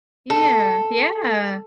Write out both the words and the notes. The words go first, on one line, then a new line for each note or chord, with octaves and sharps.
Yeah. Yeah,
A4